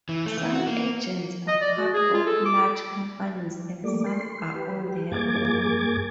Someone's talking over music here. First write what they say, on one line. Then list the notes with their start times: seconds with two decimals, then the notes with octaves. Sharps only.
Some agents are part of large companies, and some are on their own.
0.09 E3
0.26 A3
0.37 E3
0.53 F#4
0.67 A#3
1.48 D#5
1.61 D5
1.77 F#4
1.93 G#4
2.14 F4
2.26 A4
2.46 D6
3.84 G3 A3 A#3 D5
4.06 C6
4.55 G4 B4
4.88 G4
5.11 G2 A#3 G#4 D6 G#6 A6